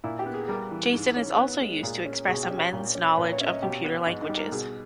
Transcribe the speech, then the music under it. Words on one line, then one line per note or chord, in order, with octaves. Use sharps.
Jason is also used to express Amend's knowledge of computer languages.
A#2 E4
G4
B3
G#4
G#4
G3 A#4
E3
G#2
C#4
B3
G#3
A#2 G#4
C#4
B2 G#4
G4
C#4
G4
A#2
C#4
A#2 B4
C#5
C#4 E5
D#5
B2 G4
B3
G#2 D#4
D#4
G3
A#4
B2 G#4